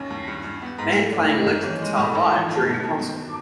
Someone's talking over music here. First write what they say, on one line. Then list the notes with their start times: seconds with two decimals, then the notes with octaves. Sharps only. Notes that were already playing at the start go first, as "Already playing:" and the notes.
Man playing electric guitar live during a concert.
Already playing: D#2 C#4
0.10 D#2
0.28 G2
0.44 G2
0.62 B3
0.78 G#2
0.96 A3
1.12 D4
1.29 G1 E4
1.39 D#4
1.47 D#3 A#3
1.55 G3
1.63 E3 C#4
1.81 G#3
1.98 A2
2.15 A1
2.25 E3
2.32 D#3 F3
2.49 G1
2.66 B2 D#3
2.83 B2
2.89 D#3
3.01 B2